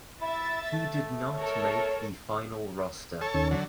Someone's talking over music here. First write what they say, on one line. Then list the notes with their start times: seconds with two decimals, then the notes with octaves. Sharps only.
He did not make the final roster.
0.21 E4 E5 A6
0.72 A3
1.36 A4 A#4 C#5
3.21 A4 C#5
3.34 D#2 D#3 C#4
3.51 D3 F#3